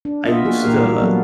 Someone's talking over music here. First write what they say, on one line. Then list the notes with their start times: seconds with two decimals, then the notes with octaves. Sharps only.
I used t uh,
0.05 D4
0.25 B3 F4 D#5 E5
0.44 A#3 F#4 G#4
0.63 A#2 E3 A#3 G4 A#4 F5
0.83 G3 F#4
1.00 F#3 B3 A4